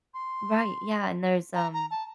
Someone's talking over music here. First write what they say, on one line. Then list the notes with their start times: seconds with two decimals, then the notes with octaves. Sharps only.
Right, yeah, and there's, um
0.14 C6
1.55 A#5
1.74 A#5
1.91 A5